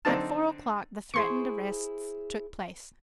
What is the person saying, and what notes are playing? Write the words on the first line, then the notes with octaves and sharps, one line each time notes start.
At four o'clock the threatened arrests took place.
D3 C4 D4 D#4 A5
E4 G#4 C5 C6 C#6